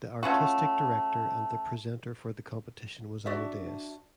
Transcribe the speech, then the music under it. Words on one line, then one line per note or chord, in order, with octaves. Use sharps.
The artistic director and the presenter for the competition was Amadeus.
A3 C#4 F4 F#4
D4 F#4 D5 E5